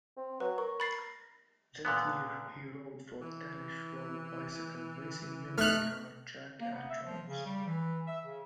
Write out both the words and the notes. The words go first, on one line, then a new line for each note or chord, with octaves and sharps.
That year, he rode for Danish road bicycle racing Memory Card-Jack and Jones.
C4
F#3 B4
A#4 C#6
B5 A6 C7
A#2 D3 B3
E3
A3 D#4 F6 F#6
A#3
B3
E5
F3
C#3
G3
E3
E5
C#3